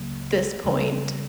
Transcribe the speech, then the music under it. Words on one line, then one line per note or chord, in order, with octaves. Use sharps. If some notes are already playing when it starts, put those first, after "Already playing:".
this point
Already playing: C#2 C#3 F#3 A#3
D2 C#3 E3 G3 B3